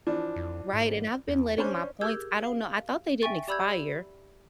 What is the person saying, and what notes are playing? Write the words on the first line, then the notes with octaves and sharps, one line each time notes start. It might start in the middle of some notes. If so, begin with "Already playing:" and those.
Right, and I've been letting my points I don't know, I thought they didn't expire,
E3 F3 D4
F2
G#2
E2
C#4 D4 C5
G4 G#4 A#4 E6 G6 G#6
F5
E5 G5 G#5 C#6 A6
G4 D5 B5 E6 G6 G#6